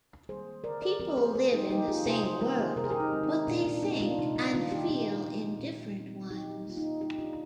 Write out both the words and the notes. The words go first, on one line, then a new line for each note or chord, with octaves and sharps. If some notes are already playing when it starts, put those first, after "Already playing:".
People live in the same world, but they think and feel in different ones.
D#3 G3 A#3 G#4 C5
D3 A#4 D5
A#4 D5
F3 G#3 C4 G4 A#4
G#4 C5
C3 G#4 C5
D#4 G4
F3 A#3 D#4 G4
F4 G#4
C3 G#4 C5
G#4 C5
D#3 G3 A#3 G4 A#4
G#4 C5
C3 A#4
G#4
G4 A#4
D#4
D#3 G#3 C4
D#4
A#2 D4
D4
G#3 C4 D#4
D4 F4
C3 D#4
D4 F4
D#3 G3 A#3 D4 F4
D#4 G4
A#2 D#4 G4
F3 G#3 C4
A#2
G3 C4
A#2 D#4 G4
G3 A#3 F4
D#4
D3 D#4 G4
D4 F4